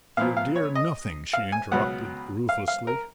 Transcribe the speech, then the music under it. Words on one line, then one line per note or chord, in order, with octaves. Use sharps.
"Your dear nothing!" she interrupted ruthlessly.
A#2 F3 B3 F5
F5
C#5
D#5
F5
G#5
C#2 B2 F#3 B3 F#5
F5
F5
A#4